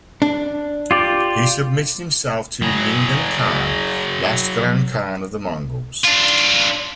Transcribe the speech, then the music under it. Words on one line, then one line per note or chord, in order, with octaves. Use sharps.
He submitted himself to Ligdan Khan, last grand khan of the Mongols.
D4
F4 G4 D5
F#3 G#4
D4 F4